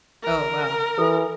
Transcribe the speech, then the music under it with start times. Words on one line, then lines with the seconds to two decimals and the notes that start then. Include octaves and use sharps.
Oh, wow.
0.23 A#4
0.98 E3 A4